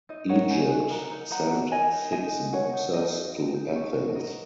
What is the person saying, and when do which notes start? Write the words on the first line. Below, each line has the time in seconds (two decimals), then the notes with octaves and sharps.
Egypt sent six boxers to Athens.
0.09 D#4 D#5
0.29 A#4 C#5 F#5
0.50 D#4 D#5 G#5
0.71 F#4
0.90 A#4 F#5 A#5
1.11 D#4
1.31 D#4 F#5 A#5
1.51 F#4
1.72 A#4 D#5 G#5
1.92 D#4
2.12 D#4 D#5 G#5
2.33 F#4
2.53 A#4 C#5 F#5
2.73 D#4
2.93 D#4 D#5
3.15 F#4
3.35 A#4
3.54 D#4
3.75 D#4 C#5
3.96 F#4
4.15 A#4 D#5